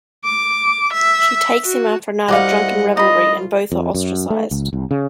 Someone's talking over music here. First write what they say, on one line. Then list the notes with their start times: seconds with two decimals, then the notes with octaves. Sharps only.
She takes him after a night of drunken revelry, and both are ostracized.
0.24 D6
0.93 E5
1.64 F#4
2.29 C2 F#4 D5 D#5 F5 F#5
2.97 D#4 F4 D#5 B5
3.72 F2
3.94 F#2
4.30 A3
4.51 C#2
4.73 C2
4.91 C#3